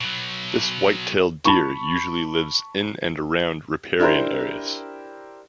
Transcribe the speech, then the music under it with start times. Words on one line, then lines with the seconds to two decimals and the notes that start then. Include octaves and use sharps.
This white-tailed deer usually lives in and around riparian areas.
0.01 B2 F#3
1.45 A5 B5 C#6
3.99 D4 E4 G4 A#4 C5